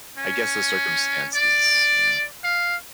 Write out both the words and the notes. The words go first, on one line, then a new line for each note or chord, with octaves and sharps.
I guess the circumstances yeah.
C#4
D5
F5